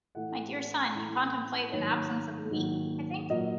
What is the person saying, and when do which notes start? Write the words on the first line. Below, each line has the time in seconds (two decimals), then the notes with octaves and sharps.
My dear son, you contemplate an absence of a week, I think?
0.15 A2 E3 A3 F#5
0.94 A2 E3 A3
1.72 G#2 D#3 F#3 A#3 C#5
2.51 G#2 D#3 F#3 A#3
3.30 A#2 F#3 A#3 D#5